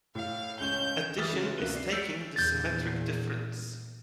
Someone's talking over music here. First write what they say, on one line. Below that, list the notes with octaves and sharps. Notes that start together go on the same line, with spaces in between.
Addition is taking the symmetric difference.
A2 F5
C#2 C#4 G6 E7
E3 E5 D#6 F6 A6
C#3 B4
D2 C3 A#3 F#6 D#7 G7
D5 C7
E6 G6 A6 B6 C#7 D7
E2 A#2 G6 A6